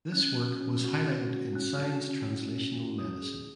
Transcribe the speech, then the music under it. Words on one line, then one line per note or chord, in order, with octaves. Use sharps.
This work was highlighted in "Science Translational Medicine".
C#4 F#6
F#4
C#4
F#4
C#4
F#4
C#4 F#6
F#4
C#4
F#4
C#4
F#4
C#4 D#6
G#4